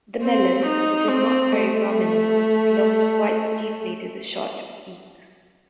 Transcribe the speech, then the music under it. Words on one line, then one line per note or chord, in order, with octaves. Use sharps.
The melon, which is not very prominent, slopes quite steeply to the short beak.
C4
D#4
C4
A3